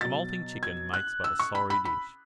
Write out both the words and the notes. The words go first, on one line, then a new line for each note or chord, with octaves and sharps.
A moulting chicken makes but a sorry dish.
B2 F#3 A6
G#6
F#6
E6
C#6
B5
B5
B5